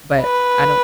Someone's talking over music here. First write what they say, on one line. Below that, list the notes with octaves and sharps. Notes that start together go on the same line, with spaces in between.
but I don't
B4